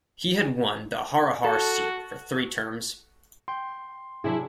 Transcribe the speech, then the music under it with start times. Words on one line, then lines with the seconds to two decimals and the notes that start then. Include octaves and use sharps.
He had won the Harihar seat for three terms.
1.45 F#4 A4
3.48 G5 C6
4.24 C3 F#3 D4 E4 G#4